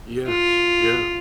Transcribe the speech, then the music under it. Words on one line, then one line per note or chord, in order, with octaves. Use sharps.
Yes. Yeah.
F4